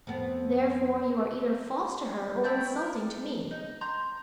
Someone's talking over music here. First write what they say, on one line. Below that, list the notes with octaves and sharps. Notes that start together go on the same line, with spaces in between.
Therefore, you are either false to her or insulting to me.
F2 B3
A3 E4 G5 A5
A#4
D#4
A#5 C6 G6